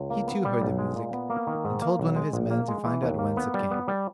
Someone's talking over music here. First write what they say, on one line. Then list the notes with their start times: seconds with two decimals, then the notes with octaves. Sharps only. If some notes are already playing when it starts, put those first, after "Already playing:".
He too heard the music, and told one of his men to find out whence it came.
Already playing: C#2
0.10 A#3
0.27 B3
0.45 G3
0.61 B1
0.78 G#3
0.95 A#2
1.13 B3
1.30 A#3
1.47 D#3
1.64 G#2
1.82 A#3
1.99 B1
2.16 G#3
2.33 A#1
2.51 A#3
2.68 G#3
2.85 E3
3.03 D#2
3.19 A#3
3.37 B3
3.54 G3
3.71 B3
3.88 G3